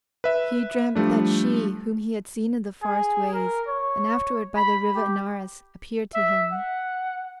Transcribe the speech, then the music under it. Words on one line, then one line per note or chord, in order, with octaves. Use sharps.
He dreamt that she whom he had seen in the forest ways and afterward by the River Anaurus appeared to him.
B4 E5
F3 G3 A3 D4
G#4
A#4
C#5
B5
G4
E5
F#5